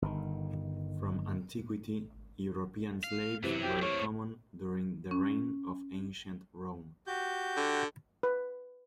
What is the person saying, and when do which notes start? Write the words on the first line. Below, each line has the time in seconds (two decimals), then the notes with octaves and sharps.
From Antiquity, European slaves were common during the reign of Ancient Rome.
0.02 G1 D#3
3.04 F5
3.43 F#2 C3 E3 F#3
3.63 G4
3.82 A3 A#3 C#5
5.11 C#4
7.07 F#4 G4 G6
7.56 D3
8.23 B4